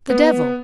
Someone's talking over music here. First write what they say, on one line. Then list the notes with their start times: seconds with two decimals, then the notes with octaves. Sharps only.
"The devil!"
0.10 B3